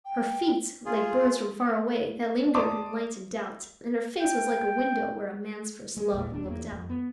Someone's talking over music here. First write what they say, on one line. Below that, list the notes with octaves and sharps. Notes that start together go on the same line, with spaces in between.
Her feet like birds from far away That linger and light in doubt; And her face was like a window Where a man's first love looked out.
G5
F4 G#4 C6
D5 A5 C6 D6 D#6
G5
G#3
A1 E2 A#2
D#1 C4 D4
E2 G2 A#3
F2
B3